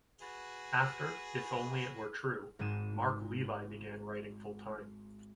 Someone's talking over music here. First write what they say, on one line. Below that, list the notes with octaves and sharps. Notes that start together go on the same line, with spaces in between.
After If Only It Were True, Marc Levy began writing full-time.
F#4 G#4 B4
G#1 G#2 G#3 D#4 D#7 E7